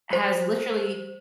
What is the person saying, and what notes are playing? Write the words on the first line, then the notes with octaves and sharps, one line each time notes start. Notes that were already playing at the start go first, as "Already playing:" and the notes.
has literally,
C5